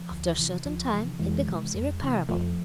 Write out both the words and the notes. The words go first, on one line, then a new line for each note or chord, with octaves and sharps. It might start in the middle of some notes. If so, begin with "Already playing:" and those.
After a certain time it becomes irreparable.
Already playing: F3
D2
C3 E3
D2 F3
C3 E3
F2 E3 G#3
C3 E3
F2
C3 E3
F2 F3 A3